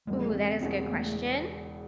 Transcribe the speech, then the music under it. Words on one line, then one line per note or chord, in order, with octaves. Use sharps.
Ooh, that is a good question.
E1 E2 C#3 G3 A3
A#3 C4
E1 E2 C#3 A#3 C4
A3 B3